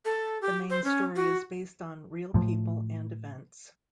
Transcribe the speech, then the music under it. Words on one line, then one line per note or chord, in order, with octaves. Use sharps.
The main story is based on real people and events.
A4
G4
C5
C#4
F#4
A2 F3